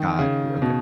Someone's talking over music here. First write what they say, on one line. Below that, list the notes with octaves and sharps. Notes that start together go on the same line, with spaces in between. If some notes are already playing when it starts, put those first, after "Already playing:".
Got you. Okay.
Already playing: D#3
C#3
B2